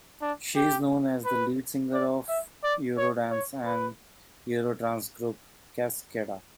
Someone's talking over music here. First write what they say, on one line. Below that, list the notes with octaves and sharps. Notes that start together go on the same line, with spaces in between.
She is known as the lead singer of Eurodance and Eurotrance group Cascada.
D4
G4
B4
D5
E5
D5
C#5
C#5
B4